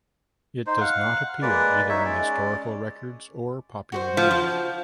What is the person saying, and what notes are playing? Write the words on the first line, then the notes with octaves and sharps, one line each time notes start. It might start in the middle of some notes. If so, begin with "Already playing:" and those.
It does not appear either in historical records or popular memory.
D#4 C5
F5 F#5
G#3 A#3 B4 D5
D#4 C#5 E5
G#3 C#4 D5
F#4 G4 C5
F3
F3